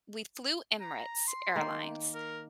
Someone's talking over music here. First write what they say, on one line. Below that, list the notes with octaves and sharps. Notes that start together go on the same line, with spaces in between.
we flew Emirates Airlines,
A#5
C6
D#3 A#3
A#4